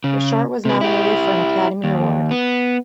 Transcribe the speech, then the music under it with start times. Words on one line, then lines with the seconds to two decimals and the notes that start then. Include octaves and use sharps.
The short was nominated for an Academy Award.
0.04 C#3
0.65 C3 B4
0.81 E4 G4
1.84 D#2
2.31 B3